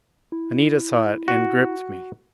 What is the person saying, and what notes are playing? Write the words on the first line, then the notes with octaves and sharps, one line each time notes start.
Anita saw it and gripped me.
E4
F#4